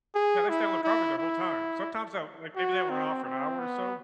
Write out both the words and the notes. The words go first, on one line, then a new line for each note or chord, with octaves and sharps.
Yeah, they stay on the property their whole time. Sometimes, they'll, like maybe run off for an hour or so.
G#4
E4
E4
E4
F#4
C4
C4
B3